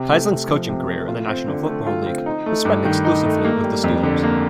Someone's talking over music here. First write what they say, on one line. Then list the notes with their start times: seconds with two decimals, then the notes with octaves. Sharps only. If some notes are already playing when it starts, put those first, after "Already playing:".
Kiesling's coaching career in the National Football League was spent exclusively with the Steelers.
Already playing: C3
0.10 A3
0.29 C3
0.48 F3
0.69 C3
0.88 A3
1.08 F4
1.28 C4
1.48 D3
1.67 A3
1.87 F4
2.06 C4
2.26 D#4
2.46 A3
2.65 G2
2.85 D#3
3.05 D#4
3.24 A3
3.45 A#3
3.64 G3
3.84 F2
4.03 D3
4.23 A#3